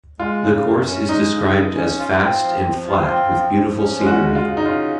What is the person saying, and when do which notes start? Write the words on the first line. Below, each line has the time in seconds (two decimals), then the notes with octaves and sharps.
The course is described as fast and flat with beautiful scenery.
0.19 G#3 F4
0.41 C#3
0.65 F#2
0.87 C#4
1.09 G#3 D#4
1.31 C#3
1.54 F#2
1.75 C#4
1.99 F4
2.20 C4
2.43 F3
2.66 F3
2.88 F4
3.09 C4
3.31 F3
3.54 F3
3.77 C#4
3.99 G#3
4.06 F#4
4.21 C#3
4.35 F4
4.43 C#3
4.57 D#4
4.66 C#4 F4